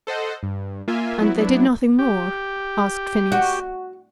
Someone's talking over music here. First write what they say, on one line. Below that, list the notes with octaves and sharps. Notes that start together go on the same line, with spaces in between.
"And they did nothing more?" asked Phineas.
A4 C5 D#5 F#5
G2
A#3 F4 E5 G#5
F#3 B3 E4
F#3 B3 D4 E4
G4
F#4